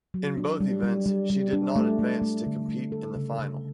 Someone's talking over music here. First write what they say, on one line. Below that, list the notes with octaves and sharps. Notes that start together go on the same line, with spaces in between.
In both events she did not advance to compete in the final.
F#3
D4
G3
G3
G3
G3
D4
A3
A3
A3
D3
A3
A4
C#3
C#3